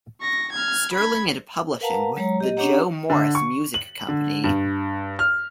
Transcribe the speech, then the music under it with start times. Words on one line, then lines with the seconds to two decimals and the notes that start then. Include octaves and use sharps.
Sterling and publishing with the Joe Morris Music Company.
0.21 C#6 A#6
0.52 F6 G#6
0.93 B5 G#6
1.81 A#4 B4 F5 F#5 A5 A#5
2.17 F#3 G#3 C#5 A#5
2.40 G4 D#5
2.57 C#4 D4 G4 C#5 F#5 A#5
3.10 D3
3.35 C#6
3.74 F#7
4.09 D3
4.44 G2
5.19 F6